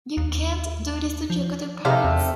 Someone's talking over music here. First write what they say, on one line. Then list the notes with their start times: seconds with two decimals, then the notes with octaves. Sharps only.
You can't do this to Jocko De Paris!
0.17 D#2
1.30 F3
1.85 C3 A3 F5
2.04 E2